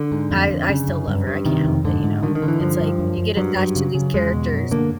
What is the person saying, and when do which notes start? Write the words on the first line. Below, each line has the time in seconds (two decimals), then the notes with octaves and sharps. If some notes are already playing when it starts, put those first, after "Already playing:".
I I still love her, I can't help it, you know, it's like you get attached to these characters.
Already playing: D3
0.12 G#2
0.31 F2
0.51 F2
0.69 C#3
0.88 F#2
1.08 G2
1.27 G2
1.45 C3 D#3
1.65 F2
1.85 G#2 D3
2.03 G#2
2.23 D3 D#3
2.35 D#3
2.42 D3
2.48 E3
2.60 G2 F3
2.80 G2
2.99 F#2
3.18 F#2
3.37 G2 F#3
3.56 G2
3.76 C#3
3.95 C#3
4.14 E2 G#3
4.33 B2
4.53 F#2
4.71 D3 A#3